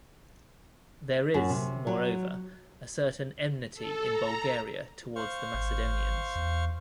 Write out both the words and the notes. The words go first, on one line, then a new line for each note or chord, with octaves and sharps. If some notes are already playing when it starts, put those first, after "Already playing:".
There is, moreover, a certain enmity in Bulgaria towards the Macedonians.
F#2
C3
F#3
A4
A#5
C5 F5 C#6
G#1
E2